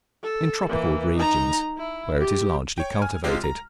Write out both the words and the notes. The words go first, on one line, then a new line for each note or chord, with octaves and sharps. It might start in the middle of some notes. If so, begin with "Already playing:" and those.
In tropical regions, where it is largely cultivated.
A4
E3 A#3
D#4 A#5
E4
G4
C#5 G5
G#5 F6
C3 G#3 F4 G4
A#5